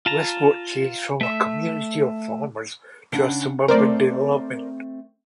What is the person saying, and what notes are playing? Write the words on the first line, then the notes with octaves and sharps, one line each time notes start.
Westport changed from a community of farmers to a suburban development.
F4 A5 A#5
A3 E5
C#3 D4 F#5
A3 C4 A#4 C5 D5